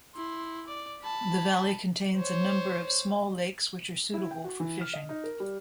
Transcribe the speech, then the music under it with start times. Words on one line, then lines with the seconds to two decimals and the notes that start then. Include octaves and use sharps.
The valley contains a number of small lakes which are suitable for fishing.
0.15 E4 C6
0.67 D5
1.02 A5 B5
2.17 C5 C#5
4.14 E4
4.31 G5
4.44 F#4
4.60 E3
4.81 F6
4.93 D#5
5.09 D#4
5.24 A#4
5.40 G3